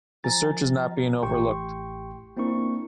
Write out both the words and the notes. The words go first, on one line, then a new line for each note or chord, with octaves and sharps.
The search is not being overlooked.
F3 G#5 A#5 A6
A1 A2 G4 G5 C6 C#6
A#3 C4 D4 E4 A#4 C#6